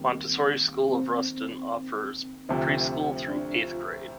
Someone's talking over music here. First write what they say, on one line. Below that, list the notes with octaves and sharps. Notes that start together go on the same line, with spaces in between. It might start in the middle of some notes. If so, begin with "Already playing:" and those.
Montessori School of Ruston offers preschool through eighth grade.
Already playing: D#2 G3 A#3 C4
C4
D2 C3 F3
D4
F4